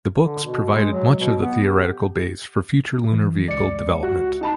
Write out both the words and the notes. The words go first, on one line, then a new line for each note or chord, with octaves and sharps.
The books provided much of the theoretical base for future lunar vehicle development.
D3
B2
G#3
F#3
B2
B3
G4
E3
C#2 D5 C#7
F#4
D#4 A5 B5